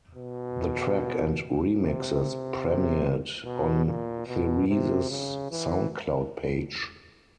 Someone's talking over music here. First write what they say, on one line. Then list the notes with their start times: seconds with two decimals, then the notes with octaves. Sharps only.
The track and remixes premiered on Therese's SoundCloud page.
0.15 B2
1.79 C3
3.44 B2
3.86 A#2
4.28 B2
4.68 C3
5.10 C#3
5.51 E3